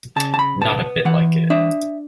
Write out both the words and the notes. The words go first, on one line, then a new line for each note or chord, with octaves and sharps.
Not a bit like it.
C#3 A5
A5
B5
B3 A5
E3 F#5
D4 E5